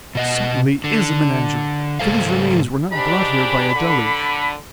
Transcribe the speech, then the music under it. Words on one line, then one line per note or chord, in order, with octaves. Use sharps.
It certainly is a menagerie, for these remains were not brought here by a deluge.
B2 D#5 F#5
D3
G#2 C#3 E3 A4 C5 F5
G#2 D4 G4 B5
D3